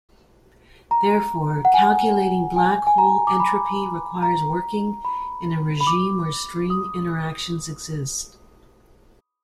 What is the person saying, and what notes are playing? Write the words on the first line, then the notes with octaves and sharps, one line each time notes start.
Therefore, calculating black hole entropy requires working in a regime where string interactions exist.
A#5
F#5
G#5
G#5
G#5
A#5
D6
B5
A#5
B5
B5
D6
D#6